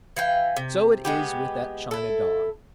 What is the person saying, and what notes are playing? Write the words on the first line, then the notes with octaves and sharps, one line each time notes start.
So it is with that china dog.
E3 F5 G5
C3
G#3 B3 G4
E4 A4